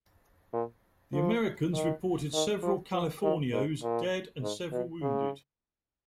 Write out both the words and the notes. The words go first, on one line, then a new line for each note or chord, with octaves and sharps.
The Americans reported several Californios dead and several wounded.
A#2
F3
D#3
D#3
F3
F3
D#3
G#2
A#2
G#2
B2
C#3